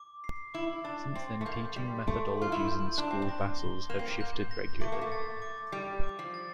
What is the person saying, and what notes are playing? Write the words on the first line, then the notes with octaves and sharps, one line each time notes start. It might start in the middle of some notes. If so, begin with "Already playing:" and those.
Since then, teaching methodologies in school basals have shifted regularly.
Already playing: D6
C7
E4 D6
D4 A6
C4 C6
A3
A#3 G6
G3 C6
A3 D7
F4 C6
E4
G6
D4 G6
C4
D4
A#6
G7
A#3 E7
C4
A#3
G6
A#6
A3 D6
A#3
A3
A6
D6
G3 D7
D6
F3
A6